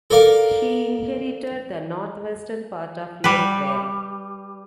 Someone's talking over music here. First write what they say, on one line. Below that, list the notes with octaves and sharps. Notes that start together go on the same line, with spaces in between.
He inherited the north-western part of Lake Van.
A4 A#4 D5 F5
G3 B4